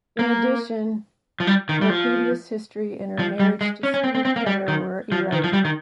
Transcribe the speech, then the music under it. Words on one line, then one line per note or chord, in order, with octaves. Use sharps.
In addition, her previous history and her marriage to Steve Trevor were erased.
A#3
F3
G3
D#3
G3
F3
F3
G3
G#3
C#4
C#4
C4
C4
C4
A#3
G3
D#3
F3
D#3
F3
G3
D#3